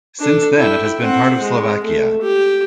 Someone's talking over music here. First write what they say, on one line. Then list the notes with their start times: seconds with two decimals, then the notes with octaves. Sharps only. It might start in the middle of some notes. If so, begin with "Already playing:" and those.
Since then it has been part of Slovakia.
0.20 D4 A4
0.57 E4 G5
1.00 C4 F#5
1.40 G#3
1.84 A3
2.22 G4